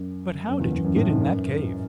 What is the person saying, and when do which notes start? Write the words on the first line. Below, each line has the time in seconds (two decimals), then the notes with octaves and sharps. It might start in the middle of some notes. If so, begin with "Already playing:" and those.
"But how did you get in that cave?"
Already playing: F#2
0.48 F#2
0.60 E2
0.72 E2
0.84 F#2
0.96 A2
1.08 G#2
1.20 F#2